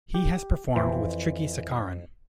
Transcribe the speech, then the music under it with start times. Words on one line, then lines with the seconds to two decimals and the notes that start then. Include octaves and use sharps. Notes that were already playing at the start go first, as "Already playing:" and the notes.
He has performed with Trichy Sankaran.
0.14 G4
0.76 F2 E3 C5